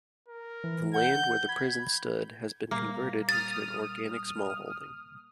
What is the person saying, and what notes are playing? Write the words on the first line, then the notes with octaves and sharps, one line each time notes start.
The land where the prison stood has been converted into an organic smallholding.
A#4
E3
F#5 G6
B5 G#6
A#2 G3 A#3
D#6 F6 A6